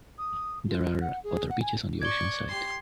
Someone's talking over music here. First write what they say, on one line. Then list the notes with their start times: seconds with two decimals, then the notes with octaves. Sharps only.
There are other beaches on the ocean side.
0.18 D#6
0.67 F4
1.01 F#5
1.23 G#4
1.49 F#5
1.61 G#5
2.02 D5 C#6 G#6 G7
2.49 G4 C6